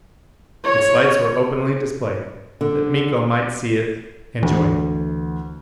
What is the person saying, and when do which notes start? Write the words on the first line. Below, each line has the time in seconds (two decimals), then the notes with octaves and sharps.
Its lights were openly displayed, that Miko might see it and join it.
0.64 C#5
2.61 D3
4.43 D2 E3